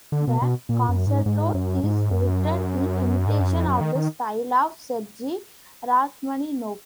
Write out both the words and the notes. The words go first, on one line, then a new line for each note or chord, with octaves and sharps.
The concerto is written in imitation of the style of Sergei Rachmaninoff.
D3
B2
B2
A#2
F#2
G#2
G#2
F#2
G#2
F#2
G#2
F#2
F2
F#2
D#3
D#3